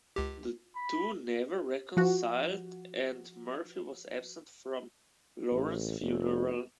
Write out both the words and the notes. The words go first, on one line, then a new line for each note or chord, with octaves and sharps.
The two never reconciled and Murphy was absent from Lawrence's funeral.
C#2 G4
B5
F3 F#4
A1
F1